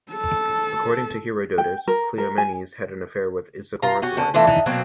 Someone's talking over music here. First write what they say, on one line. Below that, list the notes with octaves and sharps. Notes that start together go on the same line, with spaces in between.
According to Herodotus, Cleomenes had had an affair with Isagoras' wife.
A4
G5
A#4
A#4
G#5
F4 A#5
C#4 F#4 G4
D3 C#4
E3 A3 D4 F4
E3 D#4
B2 F#3 A#3 C4